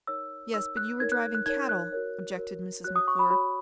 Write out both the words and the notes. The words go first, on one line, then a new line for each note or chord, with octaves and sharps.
"Yes; but you were driving cattle," objected Mrs. McClure.
D#4 A#4 C#5 E6
D#4 A#4 C#5 E6
F#6
D#4 A#4 C#5 G#6
F#6
F#6
D#4 A#4 C#5 G#6
F#6
F#4 A#4 C#5
F#4 A#4 C#5
F#4 C#5 F#6
D#6
C#6
B5
F#4 C#5 B5